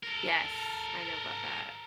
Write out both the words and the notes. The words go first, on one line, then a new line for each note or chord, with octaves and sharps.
Yes, I know about that.
A4 A#4